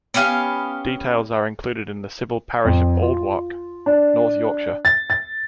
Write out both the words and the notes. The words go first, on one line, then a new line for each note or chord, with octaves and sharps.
Details are included in the civil parish of Aldwark, North Yorkshire.
B3 C#4 G4 F5
F2
F4
D4
A6
A6